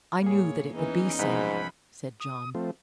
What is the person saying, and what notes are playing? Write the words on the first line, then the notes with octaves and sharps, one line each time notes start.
"I knew that it would be so," said John.
A2 A#3 G#4 C#5
E2 E3 C#4 D#4
C2 G#2 F3 B5
D#6
F3 A3 C4